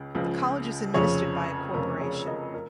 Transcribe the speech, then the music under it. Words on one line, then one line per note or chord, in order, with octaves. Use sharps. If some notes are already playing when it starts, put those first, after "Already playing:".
The College is administered by a corporation.
Already playing: C#2 C#3
C#2 C#3 F3
F1 F2 C#3 F3 G#4 C#5
F1 F2 C#3 F3 F4 A#4
G#4 C#5
A#4 D#5
A#4